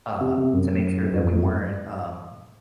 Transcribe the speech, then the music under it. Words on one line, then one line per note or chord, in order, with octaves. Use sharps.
uh, to make sure that we weren't, um,
C3
C3
F#2
F#2
F2
F2
F#2